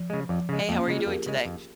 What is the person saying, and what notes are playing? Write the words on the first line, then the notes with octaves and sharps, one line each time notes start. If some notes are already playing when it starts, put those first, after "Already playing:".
Hey, how are you doing today?
Already playing: F3
C#3 G#3
F2 F3
C#3 G#3
F2 A#3
C#4 F4
C#3 G#3
F4 G#4
F2 G4 A#4
C#3 G#3
F2